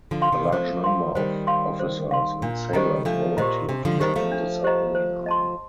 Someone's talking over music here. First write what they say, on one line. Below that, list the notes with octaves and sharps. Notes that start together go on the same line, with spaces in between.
A large number of officers and sailors volunteered to join the submarine arm.
D3 F3
F5 C6
C3 D#3
F3 A3 C5
F5 C6
D#3 G3 C5
F5 C6
C5
F5 C6
A#2 D4
D#3 G3 G4 C5 D#5 A#5
F3 A3 D4
A#2 G4 C5 D#5 A#5
C3 D4
D3 F3
D#3 G3 G4 C5 D#5 A#5
F3 A3
D4
G4 C5 D#5 A#5
C5
D#5 A5 C6